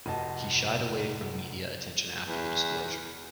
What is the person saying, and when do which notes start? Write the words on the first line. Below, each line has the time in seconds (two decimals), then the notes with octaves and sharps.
He shied away from media attention after the disclosure.
0.06 F1 F#4 D#5 A5
2.23 E2